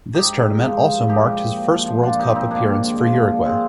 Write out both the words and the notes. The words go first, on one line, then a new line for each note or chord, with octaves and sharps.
This tournament also marked his first World Cup appearance for Uruguay.
G#2 D#4 G4
G#2
D#3
F3
F3
G#2
F3 D#4 G4
A#2
A#2
F3
F3
F3
A#2 D4 F4
F3 D#4 G4
A#2 C4 D#4
D#3 A#3 D4
G#2
D#3
F3
A#2
F3
F3 G#3 C4